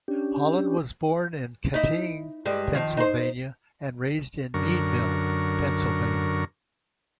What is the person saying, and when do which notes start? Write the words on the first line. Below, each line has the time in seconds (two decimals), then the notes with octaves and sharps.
Holland was born in Kittanning, Pennsylvania and raised in Meadville, Pennsylvania.
0.08 C#4 D4 G4
1.74 D#4 E4
2.45 G2 G3 G#3
2.75 D#3 F3
2.97 D#4 C5
4.54 F#2 D3 A#4 C#6